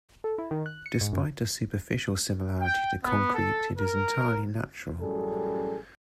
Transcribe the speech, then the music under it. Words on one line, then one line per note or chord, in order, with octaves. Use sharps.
Despite a superficial similarity to concrete it is entirely natural.
A4
E4
D#3
F#6
C#7
G#2
F#2
G5
B3
A4
A#4
A1 F#2 G3 G#4 A4